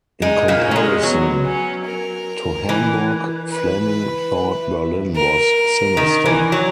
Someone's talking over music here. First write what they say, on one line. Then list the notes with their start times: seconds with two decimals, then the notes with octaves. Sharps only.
In comparison to Hamburg, Fleming thought Berlin was "sinister".
0.21 G#3 D#4
0.48 A#2 A#3
0.63 C#4
0.71 F#3
0.76 G#3
1.03 F#3 B3
1.45 C#4
1.85 A#4
2.69 E3
3.51 B4
5.15 A#4
5.97 D#3
6.25 E3
6.52 F#3